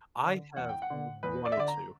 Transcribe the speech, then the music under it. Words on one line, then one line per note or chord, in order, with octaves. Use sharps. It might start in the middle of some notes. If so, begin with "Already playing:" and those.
I have wanted to.
D3
E2 F#5
G5
F#5
D3
E2 B4
D5
E5
D3 D5
A#5